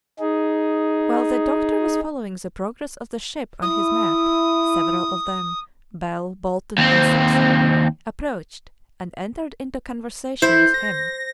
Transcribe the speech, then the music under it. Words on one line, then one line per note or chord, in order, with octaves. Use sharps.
While the doctor was following the progress of the ship on his map, several of them, Bell, Bolton, and Simpson, approached and entered into conversation with him.
D#4 G#4
E4 D#6
D#2 C4
E4 C5
A#6